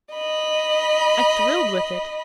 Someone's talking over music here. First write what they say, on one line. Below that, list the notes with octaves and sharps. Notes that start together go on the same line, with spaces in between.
I thrilled with it.
D#5 B5